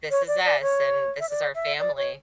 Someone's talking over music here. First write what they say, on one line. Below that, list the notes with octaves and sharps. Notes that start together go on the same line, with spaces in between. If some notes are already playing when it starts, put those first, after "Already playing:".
this is us, and this is our family.
C#5
D5
D5
C#5
E5
D5
E5
D5
C#5